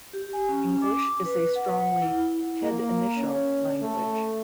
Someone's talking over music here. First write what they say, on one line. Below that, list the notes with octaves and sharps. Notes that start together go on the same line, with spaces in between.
English is a strongly head-initial language.
G4
G#5
C#4
D6
B4
F#5
E4
A#3
C#4
A3